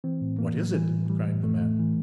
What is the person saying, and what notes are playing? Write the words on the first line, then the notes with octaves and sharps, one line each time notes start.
"What is it?" cried the men.
E3 C4
A2
E3 A#3
A2
E3 G3
A2
E3 G3
A2
E3 A3
A2
E3